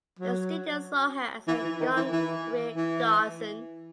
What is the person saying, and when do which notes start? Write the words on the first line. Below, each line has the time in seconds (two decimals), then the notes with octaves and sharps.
The studio saw her as a "young Greer Garson".
0.19 F#3
1.48 E3
1.65 E3
1.80 D#3
1.96 E3
2.12 E3
2.77 E3